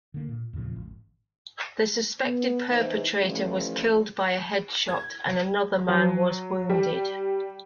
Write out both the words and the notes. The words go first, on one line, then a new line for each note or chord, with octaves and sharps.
The suspected perpetrator was killed by a headshot and another man was wounded.
D3 A#3
A#2
E2 A#2 C#3 F3
G#1
B3
E2 E3 B3 D#4 C5
E3 F3 G3 A3 C#4 E4
G#6
F#3
G3